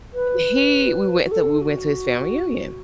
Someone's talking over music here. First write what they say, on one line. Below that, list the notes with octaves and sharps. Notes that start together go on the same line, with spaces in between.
he we went to we went to his family reunion.
B4
F#4
A4
F#4